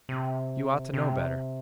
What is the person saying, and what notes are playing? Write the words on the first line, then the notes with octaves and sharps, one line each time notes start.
You ought to know better.'
C3
C3